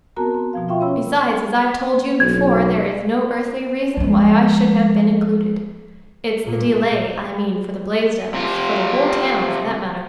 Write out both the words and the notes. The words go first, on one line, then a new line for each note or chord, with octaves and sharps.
Besides, as I've told you before, there is no earthly reason why I should have been included. It's the delay, I mean, for the Blaisdells--for the whole town, for that matter.
B3 C4 F#4 A#4 A5 A#5
C4
B2 F3 F5
F4 E5 F5 G5 C6 C#6
C#4 C#5 B5 E6
B1 G#6
F3 G#3
A#2
C3 F4